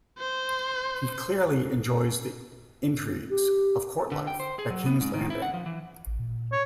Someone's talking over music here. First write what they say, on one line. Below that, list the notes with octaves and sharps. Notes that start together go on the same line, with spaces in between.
He clearly enjoys the intrigues of court life at King's Landing.
C5
G4
D3
G5
C5
G#4
F#3
B3
G#2
D#3
E4
F#5
F3
E3
A1
A#2
C#5